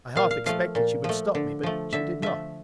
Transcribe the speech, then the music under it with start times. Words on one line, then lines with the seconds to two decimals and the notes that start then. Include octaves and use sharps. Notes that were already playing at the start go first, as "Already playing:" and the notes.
I half expected she would stop me, but she did not.
0.16 A#2 F5
0.31 F5
0.46 F3 A3 F5
0.75 A#2
1.04 F3 A3
1.35 D3
1.63 F3 A3
1.93 D3 E5
2.22 F3 A3 E5